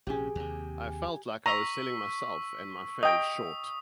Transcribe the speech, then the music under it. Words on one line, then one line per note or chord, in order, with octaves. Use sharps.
I felt like I was selling myself and my fans short.
A#1 C3 C#4 G4 G#4
D#2 C3
A#5 C#6 E6 B6
D#5 G5 D#6